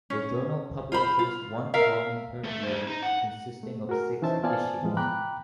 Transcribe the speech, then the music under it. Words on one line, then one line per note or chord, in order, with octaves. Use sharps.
The journal publishes one volume per year, consisting of six issues.
C#4
F4 C5 B5
F4
A#4 E5 F5
A3 A4
A4 C5
D#4
F#5
A3
F#4 G#4 A#4
E3 C#4 D#4 C5 E5 A5
B3 F4 C5 D5 G#5 A5
A2 E3 F3 G#3 B3 F4
G5 A#5 B5 D6 F#6